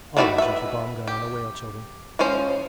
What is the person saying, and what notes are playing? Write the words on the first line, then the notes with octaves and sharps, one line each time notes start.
Always use your bomb-gun on a whale, children.
D#3 A3 F#4 D5 B5
B4 E5
G4
F3 G#3 C#4 C5